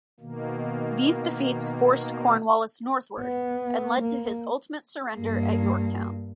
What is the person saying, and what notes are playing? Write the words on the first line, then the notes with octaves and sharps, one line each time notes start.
These defeats forced Cornwallis northward, and led to his ultimate surrender at Yorktown.
B2 D#3 A#3
B3
A#3
G2 A#3